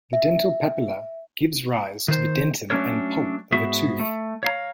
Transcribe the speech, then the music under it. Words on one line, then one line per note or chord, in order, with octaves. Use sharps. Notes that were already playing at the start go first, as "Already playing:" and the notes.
The dental papilla gives rise to the dentin and pulp of a tooth.
E5
D#3 C5
F#3 A3 C#4 D4 A#4 C#5
G#2 B3 F#4 G#4 E5
A3
C#5 F5 A#5